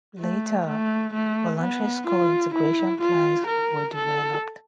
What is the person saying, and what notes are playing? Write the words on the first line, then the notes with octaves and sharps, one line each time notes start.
Later, voluntary school integration plans were developed.
A3
A3
A3
B3
F4
E4
F4
A#4
A4